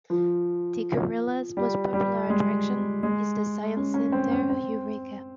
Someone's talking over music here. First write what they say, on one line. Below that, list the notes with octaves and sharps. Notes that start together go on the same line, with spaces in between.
Tikkurila's most popular attraction is the science center Heureka.
F3
G3
G3
G#3
G#3
C#4
C#4
C4
C#4
C4